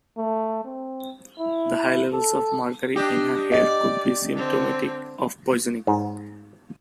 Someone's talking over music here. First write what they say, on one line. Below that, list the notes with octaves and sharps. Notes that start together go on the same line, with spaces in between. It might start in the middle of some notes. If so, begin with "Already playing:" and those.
The high levels of mercury in her hair could be symptomatic of poisoning.
A3
C4
E4
A4
D4 G4 D#5
D5 D#5
D3 C4
G#2